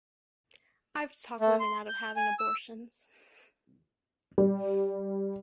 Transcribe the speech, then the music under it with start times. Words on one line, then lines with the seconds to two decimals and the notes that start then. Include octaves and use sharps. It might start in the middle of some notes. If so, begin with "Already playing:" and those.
I've talked women out of having abortions.
1.41 A3
1.60 C6
1.89 G6
2.16 G#5
2.39 E6
4.38 G3